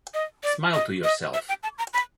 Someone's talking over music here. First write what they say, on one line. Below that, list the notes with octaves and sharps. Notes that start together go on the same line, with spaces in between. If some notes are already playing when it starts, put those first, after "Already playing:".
Smile to yourself.
D#5
D5
D#5
D#5
E5
G5
A5
A#5
B5